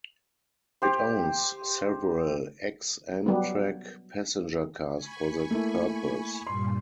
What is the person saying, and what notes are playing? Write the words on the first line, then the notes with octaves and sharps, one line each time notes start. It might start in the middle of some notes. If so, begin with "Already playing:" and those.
It owns several ex-Amtrak passenger cars for that purpose.
G4 C5
F#3 G3 B3
G#5 B5 C#6
A3 A#3 E4
G2 A#2 G3 C6